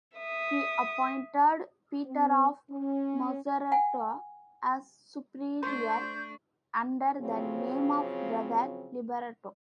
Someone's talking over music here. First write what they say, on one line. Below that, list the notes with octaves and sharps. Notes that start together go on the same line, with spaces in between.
He appointed Peter of Macerata as superior under the name of Brother Liberato.
E5 D#6
C4
C#4
F#5 G#5
A3 D4 C5 C#6 G6
C#3 F3 F#3 C4